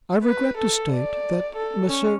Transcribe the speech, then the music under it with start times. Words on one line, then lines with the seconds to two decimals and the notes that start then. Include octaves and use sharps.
I regret to state that Messrs.
0.24 B4
0.58 A4
0.91 D5
1.57 A4
1.89 C#4